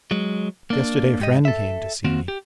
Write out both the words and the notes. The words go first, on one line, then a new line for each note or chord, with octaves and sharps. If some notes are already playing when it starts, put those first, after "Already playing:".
Yesterday a friend came to see me.
F#3 G#3
A#3 D4
G#2 G4 D#5
A4 E5
D#3 A#3 C4 F#4
G4